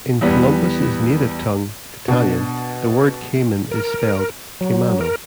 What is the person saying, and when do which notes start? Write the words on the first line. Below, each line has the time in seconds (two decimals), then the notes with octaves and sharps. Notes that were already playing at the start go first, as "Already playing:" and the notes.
In Columbus' native tongue, Italian, the word cayman is spelled caimano.
0.21 E2 G3 B3
2.08 B2 D4
3.72 A#4
4.61 F#3
5.01 A#4